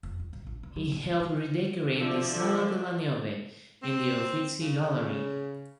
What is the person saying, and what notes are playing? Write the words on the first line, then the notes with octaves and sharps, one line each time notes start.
He helped redecorate the "Sala della Niobe" in the Uffizi Gallery.
F1
D#2
B1
A#1
B2
F#3
B2
D#4
E3
D3 F3 C5 D5 E5
C4
C#3